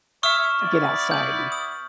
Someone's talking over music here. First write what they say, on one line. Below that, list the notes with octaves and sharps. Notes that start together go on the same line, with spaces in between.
get outside and,
C#5 E5 C#6 D#6 F6
B3 E4 D5
G6 F#7
D#6